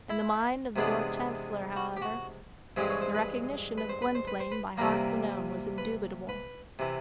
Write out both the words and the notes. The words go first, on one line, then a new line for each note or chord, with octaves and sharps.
In the mind of the Lord Chancellor, however, the recognition of Gwynplaine by Hardquanonne was indubitable.
E4
C3 E3 G#3 B3 D4
F#4
G4
F#4
G2 E3 G#3 C4 G4
C#5
C5
B4
B4
C5
B4
C5
B4
C5
B4
C3 E3 G3 A#3 A#4
B4
B4
C3 E3